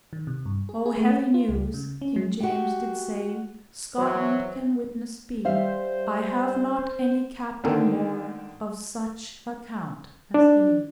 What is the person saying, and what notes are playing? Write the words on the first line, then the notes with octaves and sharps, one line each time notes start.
"O heavy newes," King James did say; "Scottland can witnesse bee, I have not any captaine more Of such account as hee."
D#3
C3
G2
G#4
G#4
A3
C#4
F4
C#2
C#3
C#4
F#3
F#4 G4
E3 F#3 C5
G3 C5 E5 F5
D3 D#3 A#3 C4
D4